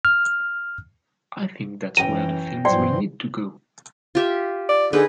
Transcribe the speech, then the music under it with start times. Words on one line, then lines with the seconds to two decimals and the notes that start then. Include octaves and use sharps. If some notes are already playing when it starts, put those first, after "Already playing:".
I think that's where the films will need to go.
0.05 F6
1.97 F#2 E3 C#4 G5 A#5 D#7
2.65 G2 E3 F#3 C5 D5 G5
4.15 F4 G4 E5
4.69 D5
4.93 D3 D#4 G#4 B4